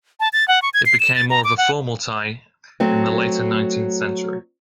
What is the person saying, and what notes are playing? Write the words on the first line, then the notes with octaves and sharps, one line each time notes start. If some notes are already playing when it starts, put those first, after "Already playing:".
It became more of a formal tie in the later nineteenth century.
A5
A6
F#5
C#6
G#6
C7
E7
A6
A#5
D6
F#5
F#3 A3 C4